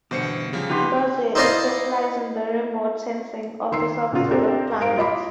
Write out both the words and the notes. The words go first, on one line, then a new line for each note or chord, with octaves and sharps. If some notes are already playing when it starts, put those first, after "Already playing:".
Bussey is specialized in the remote sensing of the surfaces of planets.
E2 G2 B2 D3 C5 D6 C#7
C#3 F3 G3
D#4 F#4 G4 B4 C6
D#4 E4 C5 D5 D#5 F5
D#3 C6 E6 C7
A#2 C#3 B3 F4 F#4
C4 D4 G4 A4 A#4 C5
G#2 A#4 F5 D7
E4 F4 D#5 F5 B5 D6